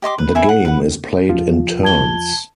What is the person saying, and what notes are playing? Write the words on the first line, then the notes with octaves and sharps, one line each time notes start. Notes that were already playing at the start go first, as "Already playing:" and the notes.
The game is played in turns.
G4 D#5 C6 D6
B4
E5 G#5 B5
F#5
B4 F#5
E2 F3 F4
A5 G#6 G7